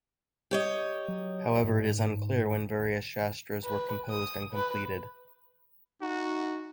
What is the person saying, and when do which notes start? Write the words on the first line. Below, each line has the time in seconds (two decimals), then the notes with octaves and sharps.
However, it is unclear when various Shastras were composed and completed.
0.51 G4 C#5 D#5
1.08 F#3
1.64 G#2
3.64 B4
4.10 D#6
4.53 B4
6.02 D#4 F#4